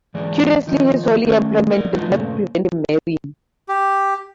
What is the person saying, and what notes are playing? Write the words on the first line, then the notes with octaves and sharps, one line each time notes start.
Curiously his holy employment did not prevent him marrying.
G#2 E3 G#3 G#4 D5
D#3 F3 D#4
D#3 G3 A3 C#4
D#4 A#4 D5
G3 G#3 B3 D#4 F4
G2 A#2 C#3 A3 C4
G4